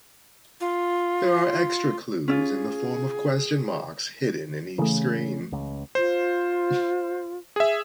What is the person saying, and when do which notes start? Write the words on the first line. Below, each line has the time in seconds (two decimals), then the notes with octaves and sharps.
There are extra clues in the form of question marks hidden in each screen.
0.60 F4
2.28 C#4 E4 F4 G#4
4.78 C#3 E3 A3
5.52 C#2
5.95 F4 C5
7.56 G#4 E5